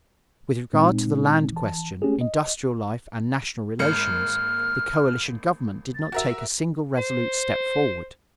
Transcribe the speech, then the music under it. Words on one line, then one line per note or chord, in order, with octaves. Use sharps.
With regard to the land question, industrial life, and national relations, the coalition government did not take a single resolute step forward.
A#2 G#3 C4 D#4
E3 A5
G#3 A3 C#4 G4 G#4
D#5
G#1 A#3 F6 C#7
A6
F#4 A#4 E5
C5